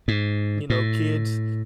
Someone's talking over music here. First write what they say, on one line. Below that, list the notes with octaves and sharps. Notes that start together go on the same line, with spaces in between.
you know, kids
G#2
A2